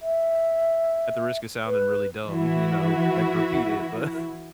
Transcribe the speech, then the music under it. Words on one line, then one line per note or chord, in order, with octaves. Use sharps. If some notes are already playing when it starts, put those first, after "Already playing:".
at the risk of sounding really dumb, you know, like repeat it, but
E5
B4
E3 E4 F#4